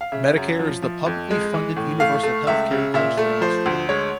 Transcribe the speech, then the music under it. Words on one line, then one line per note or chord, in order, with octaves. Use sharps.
Medicare is the publicly funded universal health care venture in Australia.
F5
C#3 E5
F#2
F3
F3
F2
G#3
E3
A2
A3 F5
A3
C#2 E5
C#3
A#2 E5
A3
F3 C5
D2
G#3 C#5